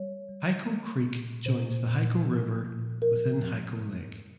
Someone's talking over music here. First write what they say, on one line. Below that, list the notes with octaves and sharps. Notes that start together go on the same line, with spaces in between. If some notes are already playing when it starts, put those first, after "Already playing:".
Hyco Creek joins the Hyco River within Hyco Lake.
Already playing: G3 C#5
G3
G#3
A#2
A#2 C5
A#2
F3
A#2
F3 A#4
F3
G#2